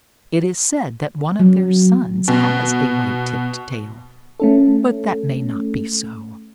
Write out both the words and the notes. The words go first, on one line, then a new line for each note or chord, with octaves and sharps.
It is said that one of their sons has a white-tipped tail, but that may not be so.
F#3
B2
A3 C#4 A4